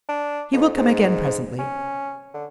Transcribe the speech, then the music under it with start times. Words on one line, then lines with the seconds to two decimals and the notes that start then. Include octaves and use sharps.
He will come again presently.
0.09 D4
0.53 F2
0.77 G#2
1.59 C#4
2.34 D3